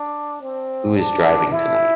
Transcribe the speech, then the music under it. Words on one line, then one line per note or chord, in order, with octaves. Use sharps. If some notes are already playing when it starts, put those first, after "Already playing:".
Who is driving tonight?
Already playing: D4
C4
D4
E4